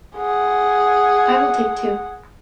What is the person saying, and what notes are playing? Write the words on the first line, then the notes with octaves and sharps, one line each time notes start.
I will take two.
G#4 F#5